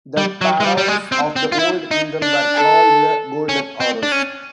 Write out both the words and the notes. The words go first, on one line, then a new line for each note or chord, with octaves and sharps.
The Pharaohs of the Old Kingdom were called the "Golden Horus".
G3
F#3
G#3
G3
G3
G#3
C4
C4
F4
E4
D#4
D4
A4
C#4
C4
D4
C#4